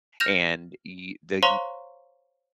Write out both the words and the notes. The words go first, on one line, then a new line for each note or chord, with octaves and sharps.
and y the
F6 G6 A#6 E7 F7
C5 C#5 F5 A#5 C6 C#6